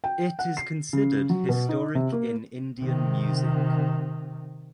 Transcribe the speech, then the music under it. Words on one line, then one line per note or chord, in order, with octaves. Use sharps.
It is considered historic in Indian music.
G5
F#5
C7
C#3
F#3
B2
D#4
C3
A#3
C3 D#3